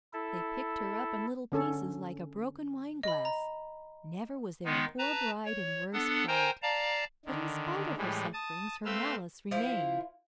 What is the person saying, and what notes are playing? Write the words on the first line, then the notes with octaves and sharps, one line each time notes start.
They picked her up in little pieces, like a broken wineglass; never was there a poor bride in worse plight. But in spite of her sufferings her malice remained.
E4 A4
D3 C#4 A4
D#5 B5
A#5
D#3 G#3 B3 D#4
B4 A5 A#5
C#5
B3 D4 A4 F#5
A#4 C5 G5 G#5 A#5
D5 F5 A5 A#5
D3 D#3
A2 E3 G3 G#3
A5 D#6
A3 C4 B4 F5 C6 E6
F3 E4 F4